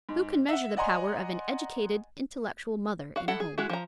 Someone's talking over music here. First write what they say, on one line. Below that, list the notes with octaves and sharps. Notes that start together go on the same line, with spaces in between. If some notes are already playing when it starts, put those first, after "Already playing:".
Who can measure the power of an educated, intellectual mother in a home?
G#2
E5 F#5
D5 D#5 F#5 G#5 A#5 C6
F#4 F5
E4 A4 F#5
G#4
G#3 E4 F#4
F3 A#5